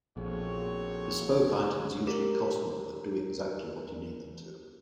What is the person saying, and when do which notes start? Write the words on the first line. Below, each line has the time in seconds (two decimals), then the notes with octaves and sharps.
Bespoke items usually cost more but do exactly what you need them to.
0.17 A#1 B3 C4 F#4 G#4 A4 C#5
2.07 G4 A#4